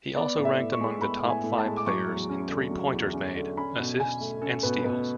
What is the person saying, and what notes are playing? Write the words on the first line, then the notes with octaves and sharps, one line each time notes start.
He also ranked among the top five players in three-pointers made, assists, and steals.
B3 D5
A2
E5
A2
C#6
G#3
B3 B5
A2
G#5
A2
A5
G#3
D6
F#3 C#6
E2
C#4
D3
F#3
E2
C#4
D3
C#4 B5
B2
B2 G#5
A3
C#4 A4
B2 B4
B2 B4